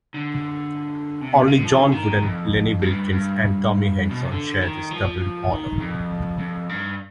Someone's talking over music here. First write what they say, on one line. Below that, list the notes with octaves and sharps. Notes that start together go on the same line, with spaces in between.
Only John Wooden, Lenny Wilkens and Tommy Heinsohn share this double honor.
D3
C3
B2
D3
F3
D3
D#3
F2
G2
G2
B2
C3
D3
D#3
F3
D#3
F2
F2
G2